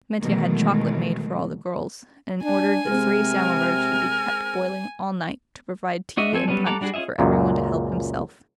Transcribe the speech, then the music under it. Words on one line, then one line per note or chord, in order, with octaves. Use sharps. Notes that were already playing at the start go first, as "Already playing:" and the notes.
Mitya had chocolate made for all the girls, and ordered that three samovars should be kept boiling all night to provide tea and punch for everyone to help himself.
B2 D#3 E3 F#3 G#3 A3
D4 G#5
C3 G#3 C4 A#4
D4 F#4 D#5 E5
F3 C4 A4 G#5
F#3 G3 B3 C#4 D4
G3 A4 F#5 A#5 D6
G3 D4 F#4 G#4
C#4 F4 G#4 D#5 E5
C#2 F#2 A#2